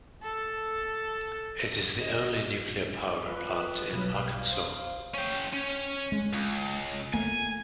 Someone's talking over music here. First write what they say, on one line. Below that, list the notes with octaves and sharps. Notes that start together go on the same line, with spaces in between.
It is the only nuclear power plant in Arkansas.
A4
D#5
F4 B4
B1 F#3
G3 F5
C5
C#4 G5
C#4
G#3
C#2
A3 A#3 G#5